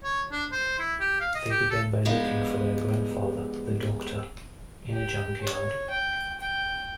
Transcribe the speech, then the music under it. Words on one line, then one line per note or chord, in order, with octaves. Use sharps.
They began by looking for their grandfather, the Doctor, in a junkyard.
C#5
D4
C5
E4
G4
F5
D#5
G4
A4
F3 G3 G#3 B3 D4 D#4
G4
C#5
G5
G5